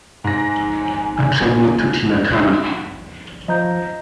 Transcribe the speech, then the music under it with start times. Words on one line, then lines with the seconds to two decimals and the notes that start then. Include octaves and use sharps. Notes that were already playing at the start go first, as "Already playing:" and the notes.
A Tribute To Tina Turner.
0.24 G#2 G#5 A#6
3.48 F3 D#5 A#5 G6